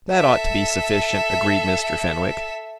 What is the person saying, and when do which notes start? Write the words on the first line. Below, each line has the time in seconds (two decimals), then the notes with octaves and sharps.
"That ought to be sufficient," agreed Mr. Fenwick.
0.12 A4 E5